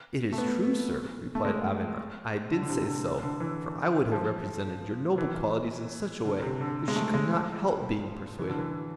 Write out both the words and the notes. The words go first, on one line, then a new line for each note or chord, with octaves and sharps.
"It is true, sir," replied Avenant, "I did say so, for I would have represented your noble qualities in such a way, that she could not help being persuaded."
A3
B3
A3
G#3
D3
D3
C3
C3
D3
D3
E3
F3
E3
D3
C3
D3
G#3
A3
G#3
F3
E3
D3
E3